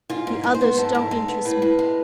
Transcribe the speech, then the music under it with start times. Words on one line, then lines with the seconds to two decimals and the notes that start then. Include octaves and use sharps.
"The others don't interest me."
0.10 G#2 F4
0.27 G#2
0.43 G#3
0.54 C5
0.61 B3
0.78 G#2 A4
0.95 G#2
1.11 G#3
1.28 B3
1.45 A2 B4
1.62 A2
1.79 G#3